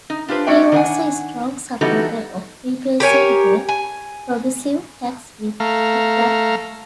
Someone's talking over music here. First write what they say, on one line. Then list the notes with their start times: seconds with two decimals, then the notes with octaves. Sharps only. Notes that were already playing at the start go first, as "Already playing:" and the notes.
He was a strong supporter of replacing the progressive tax with a flat tax.
0.10 D#4
0.28 D4 F4 G4 G#4 B4 C5
0.46 A3 C#4 F#4 D5 E5 G5
0.72 D#3 D4 A#4 E5 F#5 G#5
1.81 E3 G3 B3 D#4 F#4 A4
3.00 G4 A#4 C#5 G#5
3.69 G#5
5.60 A3 F5 A#5